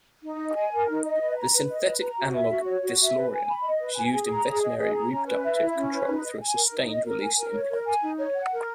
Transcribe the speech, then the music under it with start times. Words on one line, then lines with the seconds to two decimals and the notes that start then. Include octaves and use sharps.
The synthetic analogue Deslorelin is used in veterinary reproductive control through a sustained-release implant.
0.23 D#4
0.39 D#5
0.55 G#5
0.72 A#4
0.88 D#4
1.04 D#5
1.20 B4
1.36 A#5
1.53 B4
1.69 D#5
1.85 B4
2.01 A#5
2.18 F#4
2.34 E5
2.50 F#4
2.66 C#5
2.82 F#4
2.99 E5
3.16 B4
3.31 G#5
3.48 B5
3.64 D#5
3.80 B4
3.96 G#5
4.13 G#4
4.29 A#5
4.45 G#4
4.61 D#5
4.78 G#4
4.94 A#5
5.10 C#4
5.26 B4
5.43 E5
5.59 E4
5.75 C#4
5.91 B4
6.08 D#4
6.24 D#5
6.40 G#5
6.56 A#4
6.72 D#4
6.89 D#5
7.05 A#4
7.21 G#5
7.37 A#4
7.53 C#5
7.69 A#4
7.86 G#5
8.02 D#4
8.18 C#5
8.35 F#5
8.51 A#4